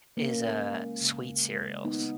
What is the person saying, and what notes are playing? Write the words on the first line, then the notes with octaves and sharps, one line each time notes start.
is, uh, sweet cereals.
C#3 A#3 C#4
G#3
C#3
G#3
D#3 B3 D#4